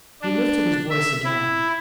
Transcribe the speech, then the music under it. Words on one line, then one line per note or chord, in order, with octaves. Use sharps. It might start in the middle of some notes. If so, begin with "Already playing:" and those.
He lifted his voice again.
D4
E5
E4